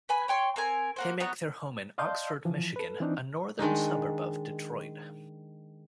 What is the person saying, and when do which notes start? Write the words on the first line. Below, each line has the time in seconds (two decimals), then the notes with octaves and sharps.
They make their home in Oxford, Michigan, a northern suburb of Detroit.
0.09 B4 G#5 B5
0.28 C#5 G5 C6 C#6
0.56 C4 A#4 G#5
0.96 A#3 F#4 C5
1.20 B3 D#4 F#4 C#5
1.98 D5 D#5 F5 A5 C6 G6
2.45 E3 F3
2.76 A4 B4
3.00 E3 C4 D4 D#4
3.59 D#3 G#3 D4 D#4